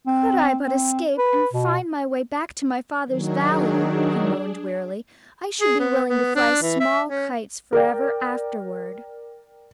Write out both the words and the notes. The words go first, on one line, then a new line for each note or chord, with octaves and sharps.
"Could I but escape and find my way back to my father's valley," he moaned, wearily, "I should be willing to fly small kites forever afterward."
C4
C4
B4
B2
D#3 F#3 D4 G#4
G#4
B3
B3
D4
E3
E5
C#4
A#4 D5 G5